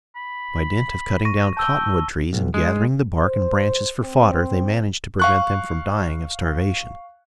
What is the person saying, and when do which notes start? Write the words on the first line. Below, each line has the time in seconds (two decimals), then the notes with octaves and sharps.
By dint of cutting down cottonwood trees and gathering the bark and branches for fodder, they managed to prevent them from dying of starvation.
0.16 B5
1.25 C#6 A#6 D#7
1.57 G5 A5 E6 G7
2.33 B1
2.54 G#3
3.23 C5
4.02 C4
5.19 F5 C#6 F#6